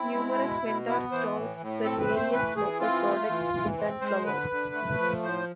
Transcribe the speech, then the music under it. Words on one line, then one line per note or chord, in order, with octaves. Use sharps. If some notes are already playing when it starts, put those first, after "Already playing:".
Numerous vendor stalls sell various local products, food, and flowers.
Already playing: C4 E4
G#3
B2
B2
B3 E4
E3 C5
A2
A2
C4 A4
B4
A3
C5
E3 B4
E3 G#4
C4 F4
A3
E3
E3
C4
G#3 C5
D3 B4
D3
A3
F3
A2 C5